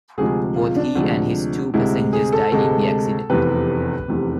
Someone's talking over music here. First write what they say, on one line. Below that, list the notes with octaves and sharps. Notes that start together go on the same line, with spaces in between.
Both he and his two passengers died in the accident.
D2 C3 F3 G#3 G#4
F4
D4
D2 C3 F3 G#3
D2 C3 G#3 E4
G#4
A4
D2 C3 G#3 A4
F1 E2 C3 B4
F1 E2 C3